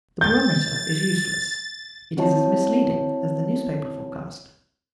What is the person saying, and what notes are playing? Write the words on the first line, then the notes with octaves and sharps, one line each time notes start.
The barometer is useless: it is as misleading as the newspaper forecast.
G6 A6
C4 E4 F#4 C#5 D#5 A5